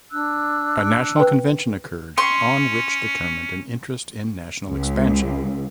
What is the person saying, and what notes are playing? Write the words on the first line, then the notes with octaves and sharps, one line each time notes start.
A national convention occurred on which determined an interest in national expansion.
D4 E6 F#6
B4 G5
C#4 C6 C#6
C#2